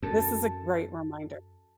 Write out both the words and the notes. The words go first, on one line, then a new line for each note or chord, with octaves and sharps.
This is a great reminder.
F#2 A4